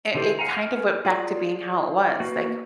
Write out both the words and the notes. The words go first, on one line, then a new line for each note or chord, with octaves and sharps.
it it kind of went back to being how it was, like,
D3 E3 G4 A4 C5
F5 F#5 G#5 A#5
G#5 F6
F4 G#4 D5
A#3 F#4 B4